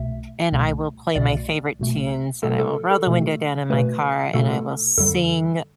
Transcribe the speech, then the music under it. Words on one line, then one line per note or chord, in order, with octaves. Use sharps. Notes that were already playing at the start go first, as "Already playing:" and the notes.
and I will play my favorite tunes, and I will roll the window down in my car, and I will sing
Already playing: C2 B2 A3 E5
C2 B2 A3
C2 B2 A3 D5
C2 B2 A3
B2 A3 A4
A4
A4
B2 A3
B2 A3 B4
B2 A3 A4
F2 D3 G3 A4